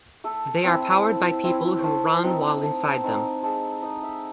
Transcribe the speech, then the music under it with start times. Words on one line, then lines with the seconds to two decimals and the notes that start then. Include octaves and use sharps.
They are powered by people who run while inside them.
0.24 A3 A4
0.64 C4 E4
1.04 A3
1.44 C4 E4
1.79 A3 C5 C#5
2.23 C4 D#4
2.63 A3
3.03 C4 D#4
3.43 G#3 A4
3.83 D#4 D#5
4.03 E5